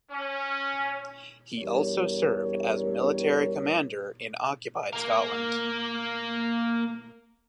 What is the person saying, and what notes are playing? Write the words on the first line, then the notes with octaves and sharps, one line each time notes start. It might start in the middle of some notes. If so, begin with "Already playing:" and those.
He also served as military commander in occupied Scotland.
C#4
E2 G3 D4 A#4 C#5
A#3 A#4